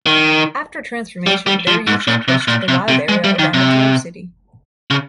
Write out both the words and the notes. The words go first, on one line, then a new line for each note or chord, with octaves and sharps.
After transformation, they are usually pushed to the wild area around a drow city.
D#3
G3
G3
F3
G#2
A#2
C3
A#2
C3
C3
G#3
G3
D#3
C3
C#3